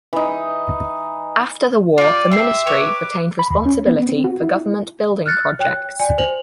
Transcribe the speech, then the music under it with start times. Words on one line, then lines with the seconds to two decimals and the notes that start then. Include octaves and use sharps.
After the war, the Ministry retained responsibility for Government building projects.
0.13 E3 D#4
1.98 F4 G4 D5
2.31 G4 E5 C6
2.67 B4 C#5 D6
3.39 B5
3.51 D#2
3.66 C#4
3.87 B3
4.09 C4
4.24 F#4
4.42 E4
5.26 F6 F#6 A6 C#7
5.59 C#5 G5 F#6
6.00 D5 G#5
6.18 C5 F7 F#7